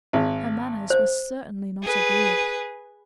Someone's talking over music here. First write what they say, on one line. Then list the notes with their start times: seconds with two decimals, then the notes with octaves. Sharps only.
Her manners were certainly not agreeable.
0.13 G#1
0.90 C5
1.83 G#4 B4